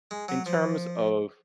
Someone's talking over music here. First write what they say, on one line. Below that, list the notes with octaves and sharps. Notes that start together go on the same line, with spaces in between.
In terms of
G#3
F#3
F3